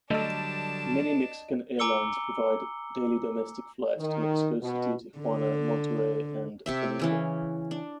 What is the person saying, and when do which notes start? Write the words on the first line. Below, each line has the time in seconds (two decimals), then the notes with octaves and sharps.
Many Mexican airlines provide daily domestic flights to Mexico City, Tijuana, Monterrey and Toluca.
0.11 D3 F#3 G3 A3 D4 A4 D#5 A5
1.79 G#5 A#5 D6 E6 C#7 G7
3.98 D#3
4.61 B2
5.19 D3
6.66 C3 G4 E5
6.99 C#3 E3 C#4
7.71 D4